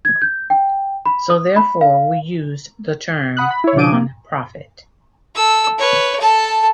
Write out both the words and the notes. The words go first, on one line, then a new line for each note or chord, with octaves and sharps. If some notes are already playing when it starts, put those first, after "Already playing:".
So, therefore we used the term non-profit.
G#6
G6
G5
B5
D#6
B5
F5
F#5 B5 D#6 F#6
B5
E4 C#5
B2 F3 D4 D6 D7 D#7
A#3
A4 E6
B4 C#5
A4 A5